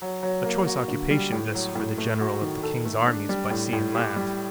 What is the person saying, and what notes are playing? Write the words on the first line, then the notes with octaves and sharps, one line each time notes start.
A choice occupation this for the General of the King's Armies by Sea and Land.
F#3
F#3
A#3
F#4
D3
G3
A2
F#3
A2
A3
F#4
D#3
A4
A3
D4
G3
A2
A2
G4
G3